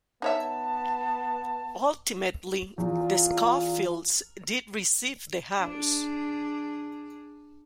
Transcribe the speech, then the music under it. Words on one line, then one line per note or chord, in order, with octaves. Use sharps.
Ultimately, the Skofields did receive the house.
B3 D#4 C#5 E5 A5
E2 F4
D4 G#4